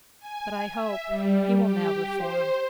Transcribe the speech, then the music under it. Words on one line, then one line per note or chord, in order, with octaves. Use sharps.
But I hope he will now reform.'
G#5
E5
G3
G4
C5